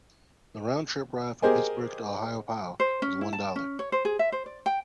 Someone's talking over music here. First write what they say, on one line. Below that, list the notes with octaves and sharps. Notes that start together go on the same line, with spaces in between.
The round trip ride from Pittsburgh to Ohiopyle was one dollar.
G4 G#4 A#4 C5 D#5 G#5
C5
C#4
E4
A5
C#4
C#5
C5
G#4
E5
C5
D5
G5